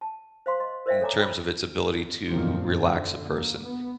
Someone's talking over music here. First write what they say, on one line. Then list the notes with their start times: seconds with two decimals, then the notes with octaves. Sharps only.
In terms of its ability to relax a person
0.01 A5
0.46 C5 F5 C6
0.60 D#5 C6
0.86 A#4 C5 D5 E5 F5 G5
1.01 A4 C#5 G#5 A#5 D6
1.19 G5 B5
2.29 F#2 A#2 D3 D#3 F3 C4
2.90 D3
3.26 A#3
3.63 B3